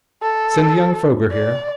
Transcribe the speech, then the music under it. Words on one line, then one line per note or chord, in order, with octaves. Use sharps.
"Send young Foger here."
A4
D5